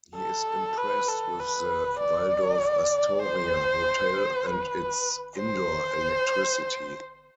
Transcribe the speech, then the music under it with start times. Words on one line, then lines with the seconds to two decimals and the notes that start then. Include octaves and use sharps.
He is impressed with the Waldorf-Astoria hotel and its indoor electricity.
0.16 A4
0.78 B4
1.09 A4
1.39 B4
2.00 D5
3.22 C5
4.46 B4
5.37 C5